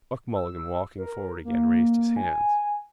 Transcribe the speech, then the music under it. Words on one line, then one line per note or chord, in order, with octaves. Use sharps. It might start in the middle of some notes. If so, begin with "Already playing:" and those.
Buck Mulligan, walking forward again, raised his hands.
E6
A#4
A#3
G#5